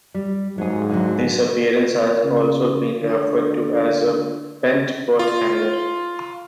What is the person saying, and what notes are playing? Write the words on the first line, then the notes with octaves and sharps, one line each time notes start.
This appearance has also been referred to as a "bent coat hanger".
G3
G#2 F#3 G#4
D3 F#3
C#3
D3
F4